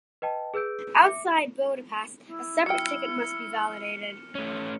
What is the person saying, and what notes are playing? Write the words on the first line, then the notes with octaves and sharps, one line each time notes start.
Outside Budapest, a separate ticket must be validated.
B4 D#5 G5 A5
G#4 B4 E6 G6 D7
E5 D6 C#7
E4
F#3 G5 F6 C#7
A3 C#4